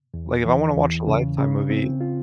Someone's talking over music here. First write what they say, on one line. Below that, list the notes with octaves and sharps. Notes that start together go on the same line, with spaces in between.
Like, if I wanna watch a Lifetime movie,
E2
E3
E2
C#3
C#3
C4
F4